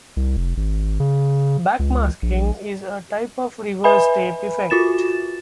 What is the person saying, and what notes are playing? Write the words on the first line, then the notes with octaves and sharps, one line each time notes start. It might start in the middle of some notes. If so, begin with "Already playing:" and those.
Backmasking is a type of reverse tape effect.
C2
F1
G#1
C#3
C#2
A#1
B4 E5 G#5 B5
F4 F#4 A6 E7